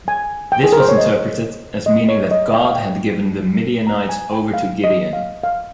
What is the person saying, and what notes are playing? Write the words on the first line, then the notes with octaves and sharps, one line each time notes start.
This was interpreted as meaning that God had given the Midianites over to Gideon.
G#5
G5
G#4
A#4
C5
C#5
D#5
D#5
C#5
D#5
G5
F5
G5
A#5
G#5
G5
F5
D#5
F5
F5